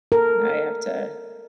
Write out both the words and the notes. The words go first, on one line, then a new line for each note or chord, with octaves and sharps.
now I have to
A4 A#4